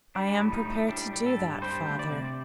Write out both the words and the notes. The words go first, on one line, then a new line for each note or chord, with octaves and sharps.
'I am prepared to do that, father.'
G3 D4
A2
D#4
A2
G3 D4
G3
A4
G2
G3 C5
D2
D5
C3